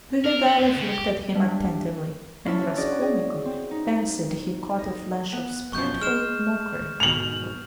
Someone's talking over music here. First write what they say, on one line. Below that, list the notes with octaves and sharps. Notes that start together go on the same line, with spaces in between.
Svidrigailov looked at him attentively and Raskolnikov fancied he caught a flash of spiteful mockery in that look.
A#4
B3
E2
C#3
G4
G3 D4 G4 C#5 E5 F5
C#4 E4 F4 E5 A5
C#4 D4 F#4 G#4 D5 D#5
G#4 D#5
C4
D#4
D#5
B3
F#2 B2 F3 C#6 G6
G#3 F6 E7
G#2 B2 F7 F#7